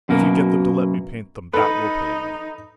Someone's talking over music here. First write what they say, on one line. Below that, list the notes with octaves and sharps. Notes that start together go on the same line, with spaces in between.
If you get them to let me paint them, that will pay me.
F#2 B2 A#3
D#4 A4 B4